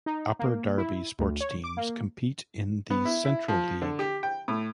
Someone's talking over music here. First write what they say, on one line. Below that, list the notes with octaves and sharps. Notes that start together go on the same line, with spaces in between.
Upper Darby sports teams compete in the Central League.
D#4
A#3
E4
D2
C#5
D6
A#3
B3
E4
E4
F3
D3
G4
G5
A2